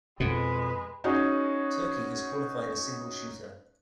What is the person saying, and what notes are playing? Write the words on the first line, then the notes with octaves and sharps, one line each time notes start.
Turkey has qualified a single shooter.
F2 B2 G#3 B4
C#4 D#4 F#4 G#4